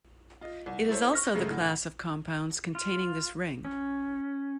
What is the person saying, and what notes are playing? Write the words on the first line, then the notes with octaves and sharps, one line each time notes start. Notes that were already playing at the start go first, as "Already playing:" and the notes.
It is also the class of compounds containing this ring.
F4 D#5
C2
E4 A4 C5 C#5
C#6 F6 A#6
F#2 C#3 G#3 A3
A2 D3
F4
C#4